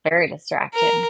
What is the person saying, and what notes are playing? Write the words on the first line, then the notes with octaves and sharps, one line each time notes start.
Very distracting.
A#4